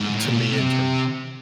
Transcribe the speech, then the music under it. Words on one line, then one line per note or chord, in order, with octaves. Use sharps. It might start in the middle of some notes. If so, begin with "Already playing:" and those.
to me in terms of
G#2
A2
A#2
B2
C3